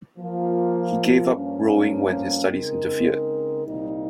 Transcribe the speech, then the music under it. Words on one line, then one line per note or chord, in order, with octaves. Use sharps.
He gave up rowing when his studies interfered.
F3 A#3 F4
G2 F3 A#3 C#4
C#3 G#3 C4 D#4 A#4
C2 A#2 G3 A#3 D#4